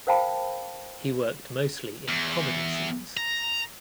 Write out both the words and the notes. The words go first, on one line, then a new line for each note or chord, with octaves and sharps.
He worked mostly in comedy scenes.
A#4 C5 F5 G5 A5 B5
E2
A#5